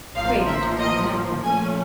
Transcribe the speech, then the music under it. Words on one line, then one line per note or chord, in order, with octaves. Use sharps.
Craven took out a note-book.
A1 A2 F3 A#3 F5
E5
D#5
A#2 F3 A3 C#4 G#5